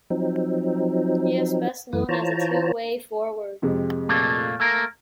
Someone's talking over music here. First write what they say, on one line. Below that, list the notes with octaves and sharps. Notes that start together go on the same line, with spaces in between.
He is best known as a two-way forward.
F3 F#3 C4 D#4
F#2 E3 A3 B4
E3 F4 C5 C#5 A5 A#5
F2 C3 G#3
A#2 A3 A#3
A3 A#3 A#4